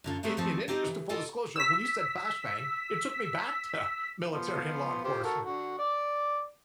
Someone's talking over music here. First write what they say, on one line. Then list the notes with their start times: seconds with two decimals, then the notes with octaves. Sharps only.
in interest of full disclosure, when you said "flashbang," it took me back to, uh, military and law enforcement.
0.04 F#2 D3 F4
0.23 F3 F#3 A3 B3 C4
0.37 E2 F3 G#3 A3 C4
0.68 C4 D#4 G4 A4 D#5
0.87 E3
1.09 F4 A4 A#4 D#5
1.56 E6 B6
4.30 F3 B3 F4
5.04 F4 G4 C5
5.24 F#4 A4 A#4
5.45 D3 F#4
5.79 D5 D6